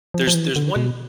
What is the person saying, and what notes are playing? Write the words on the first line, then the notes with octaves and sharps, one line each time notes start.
there's there's one
F3
F3
E3
D3
B2